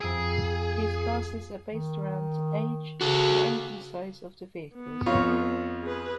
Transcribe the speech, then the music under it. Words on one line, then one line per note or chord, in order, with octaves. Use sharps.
These classes are based around age and engine size of the vehicles.
F2 G#4 E6 D7
D#3
C#3 F#4 A4
B3
F2 F4 C#5
G#4 B4